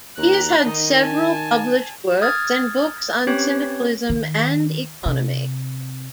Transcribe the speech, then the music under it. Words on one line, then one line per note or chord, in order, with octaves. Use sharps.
He has had several published works and books on syndicalism and economy.
D#2 A#5 F#6
D#3 D#4 D#5
G#5 A5
D#6 F6 G#6 A6
C4 C#4 G4 B4 C#5
D#3
C3